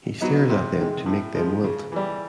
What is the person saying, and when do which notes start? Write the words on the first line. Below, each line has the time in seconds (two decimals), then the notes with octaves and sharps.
He stares at them to make them wilt.
0.21 F#3 B3 D#4
0.49 C3
0.78 D#3 G#3
1.06 A2
1.35 F3 G#3
1.64 C#3
1.92 E3 G3